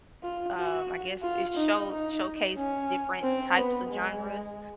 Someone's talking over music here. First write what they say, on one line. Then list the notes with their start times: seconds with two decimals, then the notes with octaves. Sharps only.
um, I guess, it show showcase different types of genres
0.23 F4
0.56 F#4
1.23 F4
1.57 D#4
1.90 D#4
2.57 C#4
3.23 C4
3.56 B3
3.90 G#3